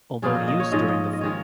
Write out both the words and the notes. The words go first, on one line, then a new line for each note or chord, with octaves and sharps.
Although used during the First World War, they were sold when the war ended.
A#2 F3 A#3 C#4 G#4
D#5
D#5
C#5
G#2 F3 G#3 C#4 D#5
D#5
D#5
D#3 G#3 C#5